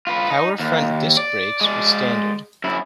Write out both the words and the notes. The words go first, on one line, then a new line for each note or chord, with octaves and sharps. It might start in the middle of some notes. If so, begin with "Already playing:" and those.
Power front disc brakes were standard.
F4 B4
D#4
D#2
D5
G#3 D5
F#2 E4